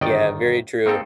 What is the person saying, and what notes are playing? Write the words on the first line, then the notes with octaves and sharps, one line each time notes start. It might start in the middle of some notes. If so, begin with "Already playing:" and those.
Yeah, very true.
G1 D#3 D#4 D5 D#5 G5
A#3 C4 D#4 A4